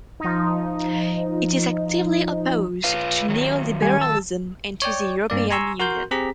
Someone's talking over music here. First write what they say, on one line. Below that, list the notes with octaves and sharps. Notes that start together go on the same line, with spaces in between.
It is actively opposed to neo-liberalism and to the European Union.
F3 D#4
F4 B4 F5
D#3 F#3
G3 G#5
A5 E6
C#5 D5 G5
G2 A#3 D5
G#5 A#5 C6 C#6 E6
F#4 A#4 C6 G6
C4 G4 G#4 A#5 B6